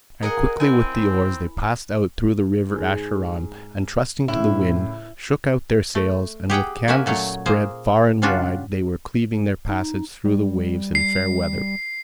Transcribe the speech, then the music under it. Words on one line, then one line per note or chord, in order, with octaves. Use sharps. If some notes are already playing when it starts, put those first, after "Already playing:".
And quickly with the oars they passed out through the river Acheron and, trusting to the wind, shook out their sails, and with canvas spread far and wide they were cleaving their passage through the waves in fair weather.
G#4 A#4 D#5 F#5
C4 E4 G#5
G#2 G#3
A2 C#3 E4
A3
G4 G#4 F#5 G5
A#3 C#4 A#4 E5 F#5 G#5
A#2 F#3 A3 C#5
A#3 G#4 C5
C#3 G3 C#4 D4 F4 F#4
D#4
G3
C7